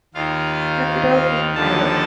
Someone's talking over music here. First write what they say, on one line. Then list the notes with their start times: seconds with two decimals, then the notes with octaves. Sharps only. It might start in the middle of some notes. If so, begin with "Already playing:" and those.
Its capital is Melo.
0.14 D#2 D#3 F4 F5
1.55 D#2 D3 F3 A4 A5